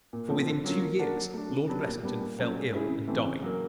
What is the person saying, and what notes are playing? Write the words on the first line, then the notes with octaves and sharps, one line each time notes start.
For within two years Lord Blessington fell ill and died.
A#2
F3 A3 C4
D3
F#3 A#3 C#4 F4
A#3
D4 F#4 A#4
F#3
A3 D4
C#3
F#3 B3 D4 G4
A#2
G3 B3 D4
A#2
F#3 A3 C#4
G#3
C#4 E4 G#4
C#3
E3 A3 C4
C#3
F#3 A#3